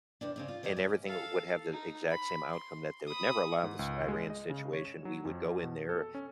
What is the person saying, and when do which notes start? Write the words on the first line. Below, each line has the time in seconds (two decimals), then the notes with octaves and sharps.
and everything would have the exact same outcome that they would never allow this Iran situation. We would go in there
0.21 E2 C3 D4
0.36 C#3 C4 D#4
0.48 F4
0.63 E3 G4 C#5 D#5
0.77 G#3 B3 C#4
1.06 A4 F5
1.72 D#4
2.11 B5
2.52 C6
3.07 B5 D#6
3.63 G#2
3.79 C#2
4.08 G#3
4.30 D#5
4.50 C#3
4.73 C#5
4.85 E7
5.05 F#3
5.25 F2
5.63 B2
5.89 A4
6.15 C#4